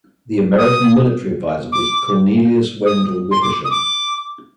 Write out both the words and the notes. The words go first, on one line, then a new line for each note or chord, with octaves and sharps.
The American military advisor was Cornelius Wendell Wickersham.
D#6
D6
D#6
C6
D6
D#6
D6